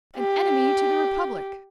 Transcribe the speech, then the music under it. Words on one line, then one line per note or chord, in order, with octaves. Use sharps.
"An enemy to the Republic!"
G4